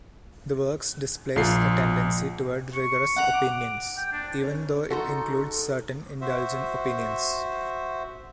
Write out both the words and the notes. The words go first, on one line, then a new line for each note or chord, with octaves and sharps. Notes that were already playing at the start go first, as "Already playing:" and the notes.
The works displays a tendency toward rigorous opinions, even though it includes certain indulgent opinions.
A#1 F4 C7
C#6
F#5 A#5
D6
G5
D4
C#4
D#4 F#4 A4 C6
F#4 C5 E5